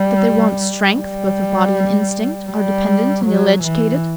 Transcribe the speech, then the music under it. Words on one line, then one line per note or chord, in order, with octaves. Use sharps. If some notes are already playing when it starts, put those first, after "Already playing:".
That they want strength, both of body and instinct, are dependant, and ill educated?
Already playing: G3
G3
G3
F#3
E3